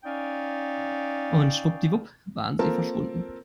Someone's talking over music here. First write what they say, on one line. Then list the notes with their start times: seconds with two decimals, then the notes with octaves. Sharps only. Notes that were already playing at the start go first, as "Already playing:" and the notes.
Und schwuppdiwupp waren sie verschwunden.
0.03 C#4 D#4 D5 F5 G5
2.59 A#3 C4 F4 A4 A#4 A5